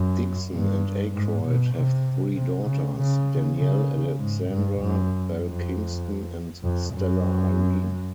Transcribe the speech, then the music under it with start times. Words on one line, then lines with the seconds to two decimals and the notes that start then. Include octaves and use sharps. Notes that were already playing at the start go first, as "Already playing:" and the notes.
Dixon and Aykroyd have three daughters: Danielle Alexandra, Belle Kingston and Stella Irene.
Already playing: F#2
0.52 G2
1.14 G#2
1.44 B2
1.74 C3
2.36 C3
2.66 C#3
2.97 C#3
3.58 C#3
4.19 G#2
4.49 G2
4.79 F#2
5.41 F2
6.63 F2
6.94 F#2